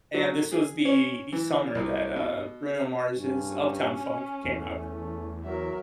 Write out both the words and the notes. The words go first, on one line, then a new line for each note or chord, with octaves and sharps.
and this was the the summer that, uh, Bruno Mars' Uptown Funk came out,
F#3
G#4
C#4
E3
C2
B2
G2 C#4
E2 A3
F#3 A#4 E5